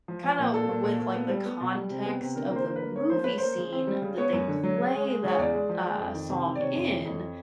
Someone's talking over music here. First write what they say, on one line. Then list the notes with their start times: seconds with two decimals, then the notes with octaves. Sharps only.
kinda with, like, the context of the movie scene that they play that, uh, song in,
0.08 F3
0.24 F3
0.38 A#2
0.54 A#2 A4
0.69 A#2
0.84 A#2
0.99 A#2
1.15 B3
1.29 G3
1.45 B3
1.61 B2
1.75 G3
1.90 C3
2.06 B3
2.21 C3
2.35 D3 A#4
2.51 A#3
2.56 C5
2.66 D3
2.76 B4
2.82 A#3
2.96 C#4 C#5
3.10 F3 C5
3.24 C#4 B4
3.38 A#3 C5
3.58 C#3
3.73 C4
3.87 G3
4.02 C#3
4.17 B3 C#5
4.33 F#2
4.48 D3
4.63 F#3
4.78 C#3
4.94 G#3
5.08 G#3
5.24 C#3 C#5
5.38 E2 D5
5.54 G#3
5.69 F3
5.84 G#3
5.99 F2
6.14 D#3
6.29 C3
6.45 D#3
6.55 D5
6.60 C3 C#5
6.75 F2
6.90 E3
7.05 F2